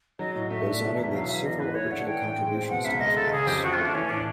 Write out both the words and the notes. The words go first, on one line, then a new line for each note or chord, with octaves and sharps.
Bolzano made several original contributions to mathematics.
F#3 D#5
A2 D#5
A3 E5
D4
B2
E2
F#3 F5
E2 E5
E3 D#5
G#2 B4
A3 C#5
D4 F#5
E3 G5
A2
G#3
C4
B2 F#5
C#2 E5
G#3 D#5
C#2 A4
C#3 G#4
F2 G4
F3 F#4
F4
A3
D4
E3 C#4
A2 D4